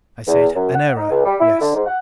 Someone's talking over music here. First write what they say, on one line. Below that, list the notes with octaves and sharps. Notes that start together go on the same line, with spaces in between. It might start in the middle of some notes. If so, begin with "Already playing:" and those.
I said, "An error--yes."
E2
F#2
F#5
D#4
C#2
G3
E4
D3
G#2
F#5